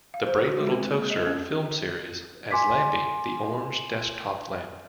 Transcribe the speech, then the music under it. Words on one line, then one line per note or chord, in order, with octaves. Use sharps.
"The Brave Little Toaster" film series, as Lampy the orange desktop lamp.
F5
C5
F#4
G#3
C4
A#3
D#5
C#4
G#5 C6 D6 B6